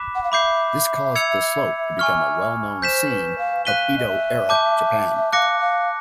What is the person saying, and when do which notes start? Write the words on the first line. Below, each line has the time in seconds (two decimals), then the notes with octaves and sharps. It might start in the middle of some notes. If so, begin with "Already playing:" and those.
This caused the slope to become a well-known scene of Edo-era Japan.
Already playing: B5 D6 F#6 B6 E7
0.15 F#5
0.24 F5
0.32 E5 B5 D6 G6 C7
1.15 E6 G#6 C#7 F7
1.99 G#5 C#6 F6
2.82 C5 G6 B6 E7
3.10 B4
3.38 F5
3.65 F5 F#6 B6 D#7 G7
3.98 D#5
4.08 E5
4.49 A5 D6 G6
5.33 F5 D6 F#6 A#6 C#7
5.60 F5